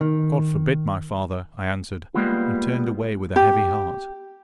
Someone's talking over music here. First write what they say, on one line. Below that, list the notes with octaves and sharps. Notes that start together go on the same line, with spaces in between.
"God forbid, my father," I answered, and turned away with a heavy heart.
D#3
G3 G#3 A#3 B3 F4
G4